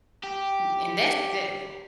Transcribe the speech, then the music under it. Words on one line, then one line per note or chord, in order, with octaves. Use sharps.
N and that's def
G4